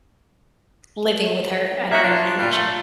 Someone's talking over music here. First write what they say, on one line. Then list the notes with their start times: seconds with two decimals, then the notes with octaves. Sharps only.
living with her at a young age,
1.91 A#3 D#4 F#4 E5
2.03 D4 F4
2.39 A#2 G3 F4
2.53 A3